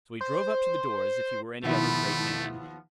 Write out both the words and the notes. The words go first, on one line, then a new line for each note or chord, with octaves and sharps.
So he drove up to the door as if he were any other great man.
C5
D#2 B2 D#3 F3 A3 B3 E4